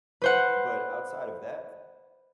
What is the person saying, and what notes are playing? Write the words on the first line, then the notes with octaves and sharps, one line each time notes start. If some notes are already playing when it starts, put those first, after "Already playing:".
but outside of that,
B4 C5 F#5